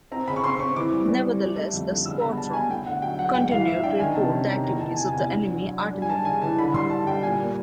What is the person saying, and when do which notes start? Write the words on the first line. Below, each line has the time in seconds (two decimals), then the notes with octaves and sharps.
Nevertheless, the squadron continued to report the activities of enemy artillery.
0.12 C4 A#5
0.27 C#3 B5
0.36 C#6
0.43 C4 C6
0.59 C4 C#6
0.76 E3 D6
0.92 G3
1.08 G3
1.25 G3
1.41 A3
1.56 A3
1.73 F2
1.89 D3
2.06 C#2 E6
2.21 B2 B5
2.37 G3 A5
2.53 B2 G#5
2.70 A3 G5
2.86 D3 F#5
3.02 F#3 G5
3.19 F#3 F#5
3.34 G#2 G5
3.50 E3 F5
3.67 E3 E5
3.83 D4 G5
3.99 D#3 G#5
4.15 C3 A5
4.31 C#4
4.47 D#3 A#5
4.64 E2 A#5
4.80 E2 A5
4.96 C3 G#5
5.12 E2 G#5
5.29 D4
5.45 F#3
5.61 F#3
5.77 D4
5.93 G3
6.02 G#5
6.10 G3 A5
6.25 C#3 G#5
6.42 E3 A5
6.58 D3 B5
6.74 G3 C6
6.90 D3 A5
7.06 G3 G5
7.22 A#2 G#5
7.39 A#3